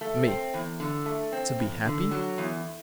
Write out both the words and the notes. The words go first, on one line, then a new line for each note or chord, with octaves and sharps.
ME: To be happy?
A3
C4
E2
D3
A3
C4
E2
D3
F#3
E2